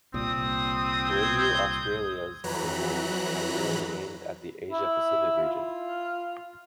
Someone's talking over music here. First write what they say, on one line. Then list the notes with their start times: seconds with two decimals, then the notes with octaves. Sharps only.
Radio Australia's signal is primarily aimed at the Asia-Pacific region.
0.14 C2 A#2 C4 D#6
1.09 G6 G#6
2.44 F2 E3 F#3 A#5 B5 F#6
4.71 E4
5.38 F4